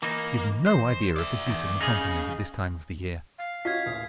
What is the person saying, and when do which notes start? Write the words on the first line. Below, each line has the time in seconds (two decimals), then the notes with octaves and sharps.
You've no idea of the heat on the Continent at this time of the year.
0.03 E3 A#3 D#4
0.66 C5
1.16 D5 E5
1.47 E2 D#3
1.80 C#3 D#4 G#4
3.38 F5
3.65 C#4 F4 F#4 D#5 G#6 B6
3.86 D#1 A1 D#6